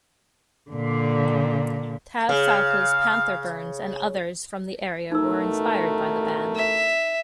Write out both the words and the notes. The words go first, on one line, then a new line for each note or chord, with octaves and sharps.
Tav Falco's Panther Burns and others from the area were inspired by the band.
A#2 D3
C#3 F5
A1 B2 A3 D#4 A#4 E6
E5